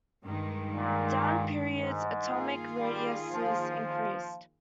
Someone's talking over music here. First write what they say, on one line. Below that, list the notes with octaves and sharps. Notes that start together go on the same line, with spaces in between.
Down periods, atomic radius increased.
G2 D#3 G#3
A#2
G#2
D#3 A#3 F4 G#4
G3
F3